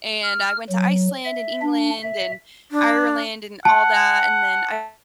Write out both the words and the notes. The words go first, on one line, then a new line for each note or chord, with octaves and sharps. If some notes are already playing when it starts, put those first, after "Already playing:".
and I went to Iceland and England and Ireland and all that, and then I
F6
F#3
E5
D4
E5
D4
F#5 A5